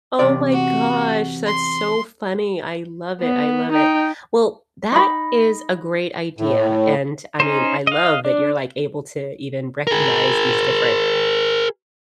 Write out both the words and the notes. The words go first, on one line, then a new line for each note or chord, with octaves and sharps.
oh my gosh, that's so funny, I love it, I love it. Well, that is a great idea, and I mean, I love that you're like able to even recognize these different
E2 C3 D5
F#4
C6
B3
D#4 G5
D#4 B5
A2
C#4 D#4 C5
D#5 F5
D4 D5
G#4 A#4